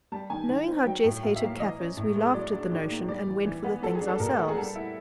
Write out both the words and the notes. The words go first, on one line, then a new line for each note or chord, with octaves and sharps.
Knowing how Jess hated kaffirs we laughed at the notion, and went for the things ourselves.
G3 A5
D#3 G#5
D#3
C4
F#3 G5
A2
A2 F5
E5
A#3 F5
E3 D#5
C#4
A2
G#3
F#3 D5
D4
D#3
A#3
G3 D5
E3
E3
B3
F#3 A4
G#4
D4
A4
A#2 A#4
B3 A4
G#4
G3 A4
E4